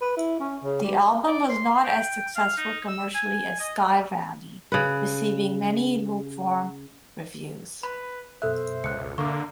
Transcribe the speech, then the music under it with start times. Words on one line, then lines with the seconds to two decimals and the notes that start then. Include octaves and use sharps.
The album was not as successful commercially as "Sky Valley", receiving many lukewarm reviews.
0.02 B4
0.17 E4
0.40 C#4
0.63 C#3
0.84 G3
1.28 D5
1.50 C6
1.84 G5
2.36 F5
2.58 D#4
2.88 E6
3.15 G#5
3.60 D#5
4.72 C#3 B4
7.83 B4 B5
8.42 F#2 B2 A4 C5 E5 F#6
8.84 C#2 F#6 C#7
9.18 D3 A#3 C#6 D6